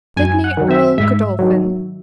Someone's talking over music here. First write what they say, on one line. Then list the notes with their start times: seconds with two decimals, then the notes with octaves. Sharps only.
"Sidney Earl Godolphin."
0.17 F#2 G#5
0.44 F#5
0.57 D#3 F#3
0.71 E5
0.97 G#2 E5
1.39 D#3 F#3